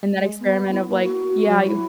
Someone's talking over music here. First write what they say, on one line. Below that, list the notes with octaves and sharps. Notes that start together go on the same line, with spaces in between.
and that experiment of like yeah, you
G#3
B3
E4
A#3
F#4
F#3
E4